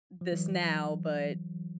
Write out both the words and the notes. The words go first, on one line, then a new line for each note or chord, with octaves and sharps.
this now, but
F3
E3 F#3